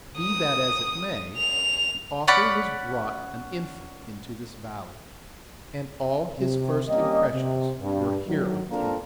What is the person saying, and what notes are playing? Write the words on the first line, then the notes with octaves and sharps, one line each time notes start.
Be that as it may, the author was brought an infant into this valley, and all his first impressions were here obtained.
D#6
F7
C#4 D5 F#5 B5
C3
G3 A#3 C#4 G4 D#5
C3
G2
D2 D#3 F#3
A#3 C4 D4 F4 A4 A#4